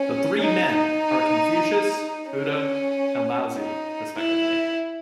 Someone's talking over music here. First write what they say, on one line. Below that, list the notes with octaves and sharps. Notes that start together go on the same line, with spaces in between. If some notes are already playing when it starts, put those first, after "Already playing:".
The three men are Confucius, Buddha, and Laozi, respectively.
Already playing: C#4
D#4
D#4
C#4
D#4
E4